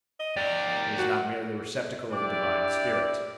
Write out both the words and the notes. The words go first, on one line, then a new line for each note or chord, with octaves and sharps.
He is not merely the receptacle of a divine spirit.
D#5
G4 A#4 D5
F#4
D4 E4 G4 D5